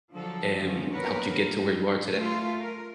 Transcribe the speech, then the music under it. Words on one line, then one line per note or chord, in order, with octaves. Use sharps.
em, helped you get to where you are today
D3 F3 F#3 A4
D3 F3 G3 C#4
D#2 B3 A#4 B4 C#5
G#2
A3 F4
A#4